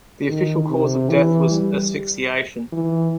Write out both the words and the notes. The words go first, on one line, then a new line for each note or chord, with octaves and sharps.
The official cause of death was asphixiation.
D#3
C3
E3
G3
E3